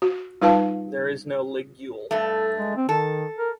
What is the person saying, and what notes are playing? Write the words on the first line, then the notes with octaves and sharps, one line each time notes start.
There is no ligule.
F#4
G3 D#4 F4 B4 F5 A5
G2 A3 A4
G#3
C4
D#3 A4
A#4